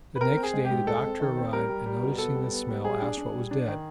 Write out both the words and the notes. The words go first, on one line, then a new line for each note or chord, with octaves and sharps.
The next day the doctor arrived and, noticing the smell, asked what was dead.
B4
C4 A#4
C4
G#4
G#3
G4
G#2
G#3 A4
C4
D#3
C4
G3 A#4
G3
G3
B2
B3 A4
G3
B3
G3
G3 G#4
D4
D4
G3
D4
D#3